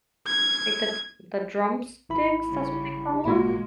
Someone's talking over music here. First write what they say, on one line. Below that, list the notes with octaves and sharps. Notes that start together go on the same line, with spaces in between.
like, the Dr the Drumsticks, that's what they call 'em?
G#6
G#1 E4 B5
C#3 G3
G#1 A#2 G#3 A#3 F#4